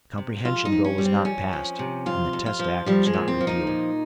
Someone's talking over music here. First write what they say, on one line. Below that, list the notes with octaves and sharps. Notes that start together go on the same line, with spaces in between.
The Comprehension Bill was not passed; and the Test Act was not repealed.
C3
F2 F4
D#4
F2
C#4
G3
C4
F2 C#4
F3
C3
F2 F4
F2
F4
F3
F3 G3
G#3
A#2
C4
F3
D#4
A#2